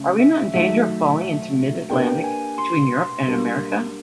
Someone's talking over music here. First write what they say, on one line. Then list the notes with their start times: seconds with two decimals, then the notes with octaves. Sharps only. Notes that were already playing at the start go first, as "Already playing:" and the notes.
Are we not in danger of falling into mid-Atlantic between Europe and America?
Already playing: C#3 A3 C#4
0.19 E5
0.54 D#3 F#3 A3 E5
1.90 A#3 D4 G4 B4 G5
2.24 G#5
2.58 C6
3.27 G3 A#3 D4